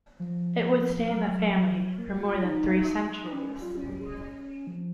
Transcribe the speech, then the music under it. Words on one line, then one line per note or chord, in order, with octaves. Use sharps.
It would stay in the family for more than three centuries.
F3
F#3
A#3
F#4
F4
D#4
C#4
F4
C#4
F3